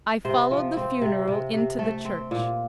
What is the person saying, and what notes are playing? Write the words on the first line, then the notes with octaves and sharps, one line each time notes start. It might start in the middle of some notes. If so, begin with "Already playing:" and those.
I followed the funeral into the church.
C3 C5
F3
C4
C3
C3
C3
A3 A4
C4
A#2